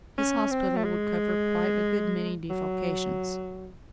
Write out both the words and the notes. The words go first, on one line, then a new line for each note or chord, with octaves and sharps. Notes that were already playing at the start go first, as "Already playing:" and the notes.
His hospital would cover quite a good many defalcations.
C#4
C4
A3
G#3
F#3